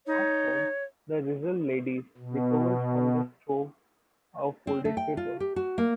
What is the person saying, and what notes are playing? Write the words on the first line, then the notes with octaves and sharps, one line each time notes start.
At home, the Rizal ladies recovered from the stove a folded paper.
D#4 C#5
B2
C4
A3
G5
F4
G4
F#4
A#3